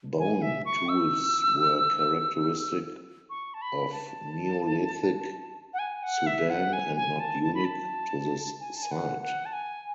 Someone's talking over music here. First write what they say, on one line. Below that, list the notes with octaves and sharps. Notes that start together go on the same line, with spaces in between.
Bone tools were characteristic of Neolithic Sudan and not unique to this site.
G#5
E5
C#6
E6
C#6
A5
B5
A5
F#5
G#5
F#5
E5
F#5
G#5
G#5
A5
A5
B5
A5
G#5
A5
G#5
F#5
F#5
A5
G#5